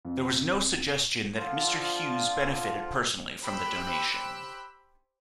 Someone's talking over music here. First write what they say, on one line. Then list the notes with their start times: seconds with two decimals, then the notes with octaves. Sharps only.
There was no suggestion that Mr Hughes benefited personally from the donation.
0.05 F2
1.36 D3 F3 F4
3.42 G4 C5 G5 B5 E6 F#6